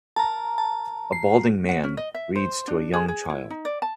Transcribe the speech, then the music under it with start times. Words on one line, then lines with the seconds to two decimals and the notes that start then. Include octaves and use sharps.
A balding man reads to a young child.
0.16 A#4 A5 A#5
0.58 A5
1.12 C7
1.69 F#5
1.84 C#4
1.97 D#5
2.14 E5
2.36 C5
2.67 D4
2.93 G#4
3.08 G#4
3.30 E4
3.50 D#4
3.65 D5
3.82 A5